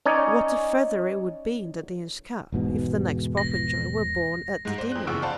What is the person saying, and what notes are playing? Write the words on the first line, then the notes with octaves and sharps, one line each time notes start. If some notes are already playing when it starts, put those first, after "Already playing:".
What a feather it would be in the Dean's cap if the next Popenjoy were born at the deanery.
C#4 D#4 C#5 D5
E1 G#2 B2
A#6
G#2 G#3
C5 D5
F2 F#6
F#1 E2 F3 C#6 E6 D7
C5 D5 F5 F#5 A5 B5